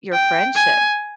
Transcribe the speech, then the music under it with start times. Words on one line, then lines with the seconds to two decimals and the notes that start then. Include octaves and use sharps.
your friendship.
0.13 G5
0.55 G#5